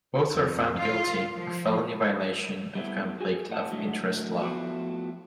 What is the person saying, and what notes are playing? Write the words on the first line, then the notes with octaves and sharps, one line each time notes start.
Both were found guilty of felony violation of conflict of interest law.
F2
F4
F3
G3 A3 B3 C4 E4
F#4 G#4 G#5
A2 F#5 A5
A2 D3 F#3 G#3 A3
F3 A3 B3 C4 E4 F#4